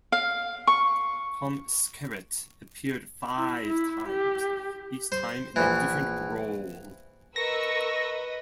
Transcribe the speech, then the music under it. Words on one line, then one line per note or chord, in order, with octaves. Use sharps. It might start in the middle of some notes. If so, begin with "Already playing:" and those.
Tom Skerritt appeared five times, each time in a different role.
F5
C#6
E4
E4
G4
C5
A#1 E3
A#4 B4 D#5 C#6 E6 A#6